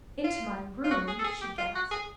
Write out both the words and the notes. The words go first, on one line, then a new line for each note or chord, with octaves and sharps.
"Into my room?" she gasped.
F4
F4
F#4
G#4
A4
G#4
G4
F4
F#4
G#4